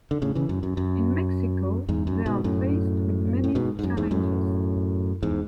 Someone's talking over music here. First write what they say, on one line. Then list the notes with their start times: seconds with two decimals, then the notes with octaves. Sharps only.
In Mexico, they are faced with many challenges.
0.11 D3
0.22 A2 C#3
0.35 C#3 E3
0.49 F#2
0.63 F#2
0.77 F#2
1.89 E2 G#2
2.07 F#2
2.26 G#2 B2
2.44 F#2 A2
3.44 A2
3.55 G#2 B2
3.79 G#2
3.84 F#2
3.97 E2 G#2
4.11 F#2 A2
5.23 E2 G#2